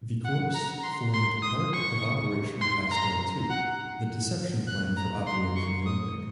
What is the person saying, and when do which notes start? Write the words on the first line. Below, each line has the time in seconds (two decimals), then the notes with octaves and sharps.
The Corps formed part of Operation Pastel Two, the deception plan for Operation Olympic.
0.25 F#5
0.55 A#5
0.83 C6
1.14 C6
1.42 D#6
1.73 C#6
2.61 C6
2.91 A#5
3.50 F#5
4.67 F#6
4.97 A#5
5.27 C6
5.56 C#6
5.86 D#6